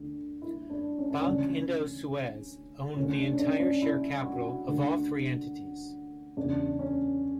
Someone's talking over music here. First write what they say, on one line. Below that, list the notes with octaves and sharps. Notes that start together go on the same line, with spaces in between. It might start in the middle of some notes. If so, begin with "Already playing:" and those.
Banque Indosuez owned the entire share capital of all three entities.
Already playing: D2 D3
E4
D4
C#4
D4
C#4
D2 C#3 E3
D2 D3 C#4
D4
C#4
D4
D4
C#4
E4
F#4
D2 D3
E2 C#3 E3 D4
C#4